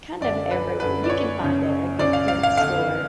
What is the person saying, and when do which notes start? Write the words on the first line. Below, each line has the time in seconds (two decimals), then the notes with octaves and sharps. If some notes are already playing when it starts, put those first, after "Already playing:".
kind of everywhe you can find a a good thrift store
0.21 F#2 D3 D5
0.51 B4
0.80 F#2 D3 B4
1.04 D5
1.10 C#5
1.40 F#2 C#3
1.99 F#2 C#3 D5
2.13 F5
2.28 F5
2.43 F5
2.57 F2 D3 F5